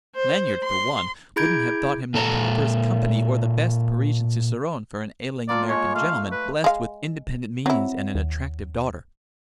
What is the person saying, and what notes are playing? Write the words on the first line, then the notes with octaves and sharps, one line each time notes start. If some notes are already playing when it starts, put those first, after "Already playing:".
Lanyard, for one, wouldn't have thought him the properest company or the best Parisian cicerone for an ailing American gentleman blessed with independent means and an attractive daughter.
C5
C6
E4 G#4 B5 G6 G#6 D7
A#2 A4 A#5
A#3 F4 A4 D5
G#3 C#5
A3 F5
B4
G#3 F5
F#3 C4 E4
D#2